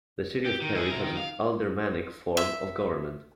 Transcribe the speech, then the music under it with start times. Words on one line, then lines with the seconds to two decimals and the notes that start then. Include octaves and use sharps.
The city of Perry has an aldermanic form of government.
0.46 G4
0.62 D#3
0.75 E4 G#4
0.90 C3 A#4
1.03 D#3
1.17 F5
2.37 E5